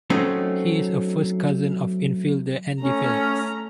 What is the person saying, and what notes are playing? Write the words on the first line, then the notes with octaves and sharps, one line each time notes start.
He is a first cousin of infielder Andy Phillips.
F#3 A3 C4 C#4 D#4
A3 C#4 A#5